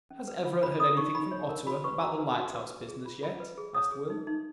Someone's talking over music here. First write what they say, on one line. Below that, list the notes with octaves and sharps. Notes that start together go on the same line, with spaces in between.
"Has Everett heard anything from Ottawa about the lighthouse business yet?" asked Will.
C#4
B4
F4
C#5 B5
A#4 D#6
D#4 C#6
D#4 B5
C#5
A#4
F#4 B5
B4 C#6
F#4 A#5
B4
F#4
B4
B4
G#4
F4
F4 B5
B4
G#4
C#5 D#6
G#4
D#4
D#4